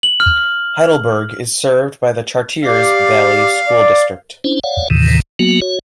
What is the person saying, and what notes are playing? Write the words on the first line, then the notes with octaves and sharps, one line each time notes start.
Heidelberg is served by the Chartiers Valley School District.
F#7
F6
G4 D5 F5
D5
C#4 D4 E4 C5
C#5 D5 F5 F#5
D#2 A2 C3 D#3 E3
F#3 A#3 B3 F#4
F#4 C#5